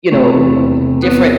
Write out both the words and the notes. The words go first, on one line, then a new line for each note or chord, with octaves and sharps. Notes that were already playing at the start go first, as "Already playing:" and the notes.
you know, uh, different
C3 A3
E2
E2
C3
E2 B3